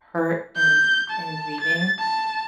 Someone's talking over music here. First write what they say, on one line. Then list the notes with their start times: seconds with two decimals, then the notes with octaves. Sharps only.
hurt and and grieving,
0.56 G6
1.10 A5
1.61 A6
1.99 A5